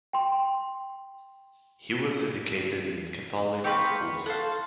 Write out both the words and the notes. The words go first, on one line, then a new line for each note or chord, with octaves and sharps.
He was educated in Catholic schools.
G5 C6
A#3 C4 G4 B4 C#6
A4 C5 F5 F#5